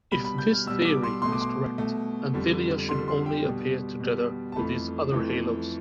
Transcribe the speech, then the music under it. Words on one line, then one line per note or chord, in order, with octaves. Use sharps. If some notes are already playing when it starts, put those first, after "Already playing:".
If this theory is correct, anthelia should only appear together with these other haloes.
B2 G3 B5
B5
G6
F6
B2 G3 E6
D6
C6
B2 A3 C6
D6
C6
B2 A3
F2 D3 G3
F2 D3 G3 C6
C6
G5
B2 G3
B2 G3
A5
F2 E3 A3 B5
F2 E3 A3